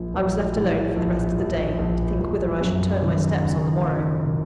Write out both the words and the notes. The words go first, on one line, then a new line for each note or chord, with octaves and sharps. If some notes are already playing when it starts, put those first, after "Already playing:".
I was left alone for the rest of the day, to think whither I should turn my steps on the morrow.
Already playing: A#1 F3
A#1
A2
A#1
A#1
A#1
A#1
F#2
D#3
F#1
D#3
D#3